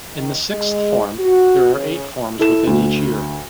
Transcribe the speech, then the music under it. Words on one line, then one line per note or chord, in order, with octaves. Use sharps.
In the sixth form, there are eight forms within each year.
D#3
G#3
F#4
C#3
E4 A4 E7
D2